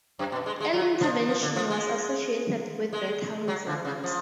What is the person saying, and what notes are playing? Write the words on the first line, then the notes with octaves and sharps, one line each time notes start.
Early intervention was associated with better results.
F#2
B2
G#3
G#3
F#3
F3
F3
D3
F3
G#3
G#3
F#3
D3
C#3
F3